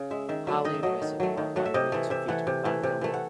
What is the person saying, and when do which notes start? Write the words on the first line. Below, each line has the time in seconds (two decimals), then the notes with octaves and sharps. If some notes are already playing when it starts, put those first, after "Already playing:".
Halli reservoir by rain to feed Bangalore.
Already playing: C#3
0.11 G#3 E5
0.29 D#3 E5
0.47 F#3 A3 E5
0.65 D#3 D#5
0.74 E5
0.83 F#3 A3 D#5
1.02 D#3
1.20 F#3 A3
1.37 D#3
1.56 F#3 A3 F#5
1.66 E5
1.74 C3 D#5
1.92 E3 A3
2.10 C3 E5
2.28 E3 A3 F#5
2.47 C3
2.65 E3 A3
2.83 C3
3.01 E3 A3
3.14 F#5